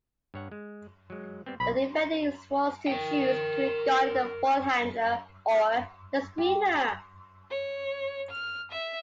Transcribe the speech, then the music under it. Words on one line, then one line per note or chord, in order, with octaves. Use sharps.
The defender is forced to choose between guarding the ballhandler or the screener.
G2 C#5 F#5
G#3
F#3 G#3
G3 B3 C4
B1 B5
A#4 G5
G4
C#5
F6
E5